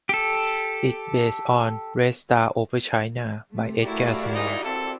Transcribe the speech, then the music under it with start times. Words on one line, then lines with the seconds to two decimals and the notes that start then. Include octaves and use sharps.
It is base on "Red Star Over China" by Edgar Snow.
0.09 G4 A4
3.52 C3 A3
3.84 A3 E4 F#4 G4 A#4 D5 F5
4.34 G#3 D#4
4.64 C4 A4